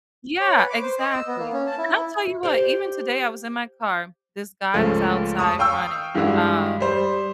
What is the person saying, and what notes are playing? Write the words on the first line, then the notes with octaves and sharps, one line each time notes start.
Yeah, exactly, and I'll tell you what, even today, I was in my car, this guy was outside running, um,
C#5
B4
D6
C5
D#5
E6
B3
A#3
C#4
A5
E4
E4
G4 C5 D5
C#2 F3 G#3 A3
A5 C#6 D#6
F5 G5 C#6 E6
G2 E3 G3 G#3 E4 F#4
G3 C5